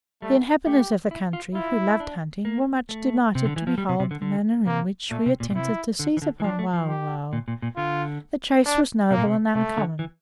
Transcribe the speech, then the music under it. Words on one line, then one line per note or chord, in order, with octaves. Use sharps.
The inhabitants of the country, who loved hunting, were much delighted to behold the manner in which we attempted to seize upon Wauwau; the chase was noble and uncommon.
G3 A3
A3 G4
E4
F4
E4 F4
D4
A#3
A3
C3
D3
E3
F3
G3
C3
C3
D3
D3
C3 A#3
A#2 A3
C3
A#2
A#2
C3 E4
D3
E3
D3
E3
F3 D4
A3
F3
G4
A#2
A#2
A#2
D3 F4
D4
C3 A#3
A#2
C3
C3 A3
D3
E3